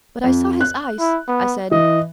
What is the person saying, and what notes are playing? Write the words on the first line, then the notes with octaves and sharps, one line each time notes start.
"But I saw his eyes," I said.
F2
F#6
E4
B3
E3 D#5